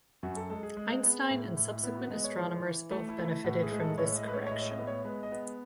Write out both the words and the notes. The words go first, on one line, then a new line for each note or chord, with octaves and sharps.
Einstein and subsequent astronomers both benefitted from this correction.
F#2 F#4
A4
G#3 A4
G#4
G#3
B3
A2
A2
B3 E4
F#4
G#3 D#5
C#5
E3
E3
A3 A4
E4
A3
E4
A2 F#4
G#4
G#3
A4
A2 C#5
D#5
G#3 B4
C#5
C#5
A2 D#5
C#5
D#5
B3
C#5
G#3 B4
D#5
B3